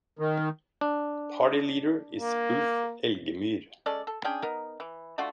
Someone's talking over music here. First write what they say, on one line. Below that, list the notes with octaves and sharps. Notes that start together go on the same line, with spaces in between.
Party leader is Ulf Elgemyr.
D#3
D4
A#3
G#3 C#4 A4 D5
A4
C#4 D4 G#4 G5
B3 D#4 A#4
E3
A3 D4 F4 F#4